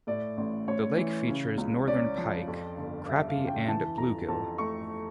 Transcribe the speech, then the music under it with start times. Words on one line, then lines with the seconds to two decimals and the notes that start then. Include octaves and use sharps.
The lake features northern pike, crappie and bluegill.
0.07 A2 D5
0.37 A1
0.67 A1 C#5
0.97 E3
1.28 C#3
1.57 C#2
1.87 C#4 D5
2.17 F3
2.48 F2
2.77 G1
3.08 G3 E5
3.28 F5
3.38 C#3
3.47 G5
3.68 E3 A5
3.98 F2 A#5
4.28 F2 A5
4.58 A3 C#6